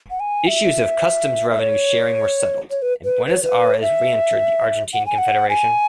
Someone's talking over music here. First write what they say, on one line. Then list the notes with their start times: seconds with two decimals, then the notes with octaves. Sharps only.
Issues of customs revenue sharing were settled, and Buenos Aires reentered the Argentine Confederation.
0.10 F#5
0.20 G#5
0.47 E5
1.51 E5
1.59 C#5
2.70 C#5
2.82 B4
3.04 B4
3.27 B4
3.35 C#5
3.43 B4
3.74 C#5
3.82 E5
4.93 F#5
5.06 G#5
5.18 F#5
5.49 G#5